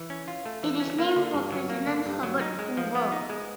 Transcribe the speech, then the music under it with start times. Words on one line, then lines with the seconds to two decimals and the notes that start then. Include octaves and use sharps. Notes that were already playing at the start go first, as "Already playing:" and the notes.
It is named for president Herbert Hoover.
Already playing: E3
0.10 C#4
0.28 F4
0.46 A3
0.63 E3
0.80 C#4
0.98 A#3
1.16 D3
1.34 G2
1.52 F#3
1.69 A#3
1.87 D3
2.06 G2
2.23 F#3
2.41 D#4
2.59 G#3
2.77 F3
2.95 B3
3.12 D#4
3.30 G#3